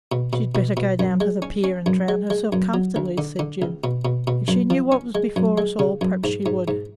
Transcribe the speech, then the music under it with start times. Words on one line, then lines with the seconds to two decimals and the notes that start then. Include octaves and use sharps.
'She'd better go down to the pier and drown herself comfortably,' said Jim. 'If she knew what was before us all, perhaps she would.
0.12 B2
0.33 B2
0.55 B2
0.77 B2
0.99 F#2
1.20 G#3
1.42 C#4
1.64 C#4
1.86 F#2
2.08 G#3
2.30 G#3
2.53 F#2
2.74 F#3
2.96 D2
3.18 D3
3.39 D3
3.62 C#2
3.84 B2
4.05 B2
4.27 B2
4.48 F#2
4.70 F3
4.92 C#4
5.15 G#3
5.36 F#2
5.58 G#3
5.79 C#3
6.01 F#2
6.24 G#2
6.46 G#2
6.68 G#2